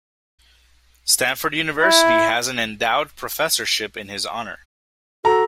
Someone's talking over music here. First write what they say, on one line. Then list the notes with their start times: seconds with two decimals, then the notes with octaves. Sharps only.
Stanford University has an endowed professorship in his honor.
1.82 E4
5.25 F#4 A4 A#5